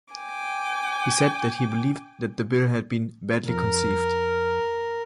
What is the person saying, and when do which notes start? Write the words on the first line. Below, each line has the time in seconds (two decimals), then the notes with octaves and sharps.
He said that he believed that the Bill had been 'badly conceived'.
0.13 G5 G#5 D6
3.48 F2 A#4